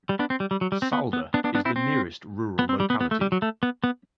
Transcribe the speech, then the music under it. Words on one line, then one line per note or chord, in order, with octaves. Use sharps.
Salda is the nearest rural locality.
G3
B3 D4
C4
G3
G3
F#3
G3
C4
B3
B3
B3 D4
B3 D4
B3 D4
C4 E4
C4
B3
C4
G3
B3
B3
A3
G3
F#3
A3
B3
B3